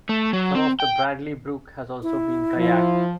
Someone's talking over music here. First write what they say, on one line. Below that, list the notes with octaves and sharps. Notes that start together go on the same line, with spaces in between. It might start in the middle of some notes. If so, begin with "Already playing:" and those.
Some of the Bradley brook has also been kayaked.
A3
F#3
C4
G5
E4
F3